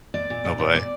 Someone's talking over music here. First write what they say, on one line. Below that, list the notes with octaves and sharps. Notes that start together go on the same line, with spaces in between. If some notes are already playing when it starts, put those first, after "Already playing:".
Oh, boy.
A#2 D5
A#2
A#2
A#2
A#2 D5